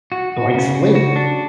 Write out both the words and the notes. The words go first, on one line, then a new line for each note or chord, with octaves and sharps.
Blank slate.
F#4
F#4
C#3
C#3
F#4
D4